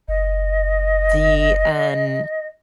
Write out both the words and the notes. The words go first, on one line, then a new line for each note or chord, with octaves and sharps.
the, um,
F#1 D#5